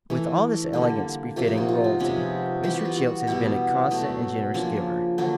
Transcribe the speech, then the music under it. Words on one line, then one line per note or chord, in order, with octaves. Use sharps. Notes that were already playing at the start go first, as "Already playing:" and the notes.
With all this elegance, befitting royalty, Mr. Childs has been a constant and generous giver.
E3 A3
D3 G3 A#3
C3 F3 A#3 F4
D#4
F#4
F4
D#4
C3 F3 G#3 B3 C#4
E3 G3 B3 G4
F#4
F4
F#4
B2 G3 B3 E4
B2 F#3 A3
C#3 F3 A#3 D4
D3 F#3 A#3 D4